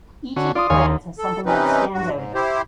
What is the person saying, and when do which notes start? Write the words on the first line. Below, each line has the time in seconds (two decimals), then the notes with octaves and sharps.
Each of the clans has something that stands out about them.
0.36 D3 C#4 F#4
0.55 F4 D5 C6 D#6
0.70 D#2 D#4 C#5 F5 G#5
1.19 A4
1.46 C3 E3 C4 C#4 D#4 B4
1.93 G2 F#4
2.14 G#2
2.35 E4 G4 C5